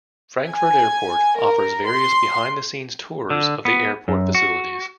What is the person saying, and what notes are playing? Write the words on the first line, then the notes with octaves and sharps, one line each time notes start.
Frankfurt Airport offers various behind-the-scenes tours of the airport facilities.
G#5
A#4
C6
D3
B3
F#2
F#4